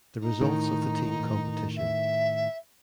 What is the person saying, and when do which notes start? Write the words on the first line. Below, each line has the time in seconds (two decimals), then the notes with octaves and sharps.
The results of the team competition.
0.20 D#4
0.41 A2 D#3
1.76 E5